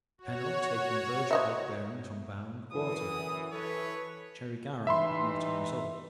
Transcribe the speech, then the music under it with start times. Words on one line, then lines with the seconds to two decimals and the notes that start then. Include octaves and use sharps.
Pennell taking verge plate bearings on bow and quarter. Cherry-Garrard noting results.
0.18 F#4 C#5
1.31 C5 D#5 E5
2.72 F#2 E3 D#6
3.52 E3 A4 B4 C#5
4.87 E3 G3 D#4 E5 B5 C6